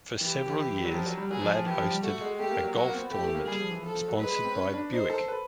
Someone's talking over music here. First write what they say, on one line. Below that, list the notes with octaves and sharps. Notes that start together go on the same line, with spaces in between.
For several years, Ladd hosted a golf tournament sponsored by Buick.
E3 G4
E3
F#3
F3
F#3
G3
F#3 G#4
F3
F3
E3 G4
F3
G3
A3 F#4
G#3
A3 G4
A#3
F#3
F#3 F#4
A#3
C4
B3
A3 G4
A3
A#3
G3 G#4
F3
E3
F3 A4
F3
F#3
G#3 B4
G#3
C4
C#4
D4
D#4 C5
A4
B4